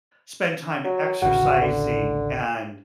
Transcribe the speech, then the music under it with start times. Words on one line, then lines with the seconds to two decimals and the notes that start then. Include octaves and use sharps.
spend time exercising and,
0.84 F#3
1.22 A1 D2 C#3 F#4
1.62 D3